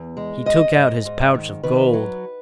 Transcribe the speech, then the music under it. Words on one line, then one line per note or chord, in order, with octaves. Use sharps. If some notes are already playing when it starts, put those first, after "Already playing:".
He took out his pouch of gold.
Already playing: E2
G#3
G#2 D#5
G#2
G#2
D#3
D#3 B4
F#3